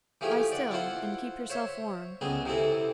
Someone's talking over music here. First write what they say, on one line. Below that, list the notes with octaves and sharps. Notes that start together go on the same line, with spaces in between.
Lie still, and keep yourself warm.'
E3 F3 A3 G4 G#4
D5 F#5
E4 F4 C5 F#5
C5 C#5 E5
C#2 B3 C4 G#4
C3 E3 C4 E4 A4